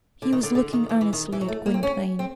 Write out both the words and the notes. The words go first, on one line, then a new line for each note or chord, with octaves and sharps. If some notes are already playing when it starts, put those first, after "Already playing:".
He was looking earnestly at Gwynplaine.
D3
D#3
D3
D3
D#3
E3
E3
D#3
E3
F#3
A3
A#3
C4
C#4
C4